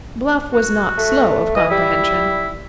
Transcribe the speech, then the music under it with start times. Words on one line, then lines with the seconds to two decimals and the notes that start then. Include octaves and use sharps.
Bluff was not slow of comprehension.
0.53 F#4
0.98 A3
1.56 E3 D#5
1.71 G3 E4